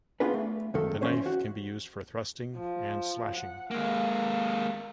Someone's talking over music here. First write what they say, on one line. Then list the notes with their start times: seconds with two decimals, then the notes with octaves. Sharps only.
The knife can be used for thrusting and slashing.
0.20 A#3 B3 D4 F4 G#4 B4
0.34 A3
0.74 C#2 F#2 D#3 A4
1.01 E3 C#4 C5 C#5
1.26 F#4
2.56 F3
3.35 F#5
3.71 G#3 A#3 F5